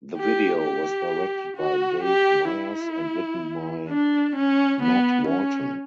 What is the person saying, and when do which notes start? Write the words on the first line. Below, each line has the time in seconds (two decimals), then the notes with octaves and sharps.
The video was directed by Dave Meyers and written by Matt Walton.
0.17 G4
0.63 G4
1.57 F#4
2.03 G4
2.49 E4
3.89 D4
4.36 C#4
4.83 B3
5.28 C#4